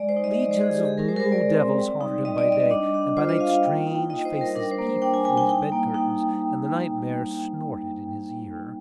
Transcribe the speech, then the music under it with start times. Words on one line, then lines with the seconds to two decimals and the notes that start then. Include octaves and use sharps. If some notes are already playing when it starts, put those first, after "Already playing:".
Legions of blue-devils haunted him by day, and by night strange faces peeped through his bed-curtains, and the nightmare snorted in his ear.
Already playing: G#3 D5
0.09 C5
0.17 D#4
0.24 D#5
0.39 G#3 D5
0.51 C5
0.62 G#3 G#4
0.74 G4
0.85 G#3 G#4
0.98 A#4
1.09 G#3 C5
1.16 A#4
1.20 C5
1.32 G#3 D5
1.54 C4
1.79 G3
2.01 D#4
2.25 G3 D#5
2.38 D5
2.48 G3 D#5
2.71 D4
2.94 D4
3.17 F4 C5
3.29 D#5
3.40 F4 F5
3.63 A#3 G5
3.78 G5
3.87 D#4
3.95 G5
4.10 D#4 D#5
4.25 C5
4.33 G3
4.41 A#4
4.55 D4 A#4
4.71 C5
4.79 A#3
4.87 C5
5.02 D4 G5
5.14 G#5
5.25 G3 G#5
5.37 G5
5.48 D#4 G5
5.72 A#3
5.94 D#4